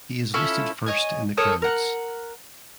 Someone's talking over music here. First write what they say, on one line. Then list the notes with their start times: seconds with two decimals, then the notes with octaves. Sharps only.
He is listed first in the credits.
0.34 C#4 E4 F4 A4
0.86 C#5 D#5 G#5
1.37 A4 A#4 C#5 D#6
1.62 A#4 F#5